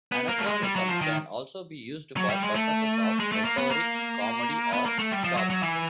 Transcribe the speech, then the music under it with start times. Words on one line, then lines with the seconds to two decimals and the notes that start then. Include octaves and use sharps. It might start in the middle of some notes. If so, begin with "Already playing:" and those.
Anachronism can also be used for purposes of rhetoric, comedy, or shock.
0.12 B3
0.29 A#3
0.39 A3
0.46 G#3
0.63 G3
0.76 F#3
0.89 F3
1.01 D#3
2.17 F#3
2.30 G3
2.42 G#3
2.55 A3
3.20 G#3
3.32 A3
3.45 A#3
3.58 B3
3.71 A#3
4.73 B3
4.86 A#3
4.99 A3
5.12 G3
5.24 F3
5.37 F#3
5.50 F#3
5.63 E3